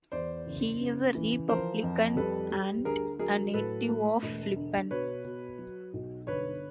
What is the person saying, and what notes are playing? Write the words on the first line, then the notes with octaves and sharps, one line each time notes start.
He is a Republican and a native of Flippin.
E2 C5 D5
F#1
C#3
E3
F3 A#4 C5
F2
G3 A4 B4
G3
D2 G#4 A#4
F#3 G#4 A#4
A2 A4 B4
A3
E1
D3
B2 B4 C#5
B2
F#3
B1
G1 B4 C#5